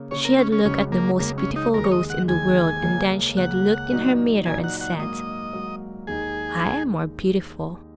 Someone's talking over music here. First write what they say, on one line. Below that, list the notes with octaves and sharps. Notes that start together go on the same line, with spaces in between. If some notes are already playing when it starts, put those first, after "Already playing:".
She had looked at the most beautiful rose in the world, and then she had looked in her mirror and said, "I am more beautiful."
Already playing: C#3 A#3 C#4
C#3 A#3 C#4 C#5
A#4
C#4
C#4
C#2 C#3 F#3 C#4
A#3
C#2 C#3 F#3 A#3
C#4
D#4
D#2 D#3 G#3 A#4
C#5
D#5
F#5
D#2 D#3 G#3 G#5
C#2 C#3 A#3
C#2 C#3 A#3 F#5
A#2 F#3 D#4
A#2 F#3 D#4 G#5
F#5
F#5
G#2 F#3 A#3 D#5
G#2 F#3 A#3
D#2 D#3 G#3 D#4 G#4